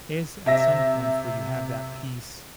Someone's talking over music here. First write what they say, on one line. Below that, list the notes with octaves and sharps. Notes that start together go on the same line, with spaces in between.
is at some points where you have that peace,
C3 E5 A#6